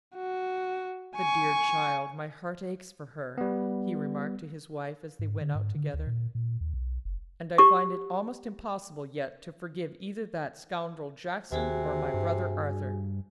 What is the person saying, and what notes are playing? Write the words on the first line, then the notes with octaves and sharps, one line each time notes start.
"The dear child; my heart aches for her," he remarked to his wife, as they went out together, "and I find it almost impossible yet to forgive either that scoundrel Jackson or my brother Arthur."
F#4
G#5 C#6
G3 B3
G#2
D3
G#2
D3
D2
A#2
A#2
D#2
B1
F#1
G4 C#6
D#2 C3 F#4 G#4 G#5
G2